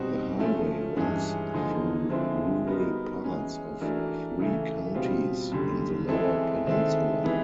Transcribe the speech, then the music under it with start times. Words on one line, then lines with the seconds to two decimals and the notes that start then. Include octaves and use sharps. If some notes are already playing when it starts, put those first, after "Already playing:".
The highway runs through rural parts of three counties in the Lower Peninsula.
Already playing: B2 G3 C4 D#4 F#4
0.39 F3 A3 C#4
0.96 G2 E3 G#3 C#4
1.54 D3 F3 A#3 D#4 G#4
2.10 D3 F3 G#3 C4 E4
2.67 G3 B3 D#4 F#4 A#4
3.24 E3 G#3 C#4
3.81 E3 A3 D4 F#4 A#4
4.39 C#3 E3 A3
4.94 B2 G3 C4 F4
5.52 F#2 D3 G3
6.08 E3 G#3 C4 E4 A4
6.66 D#3 G#3 C4 E4 A4
7.23 C3 E3 G#3 B3 E4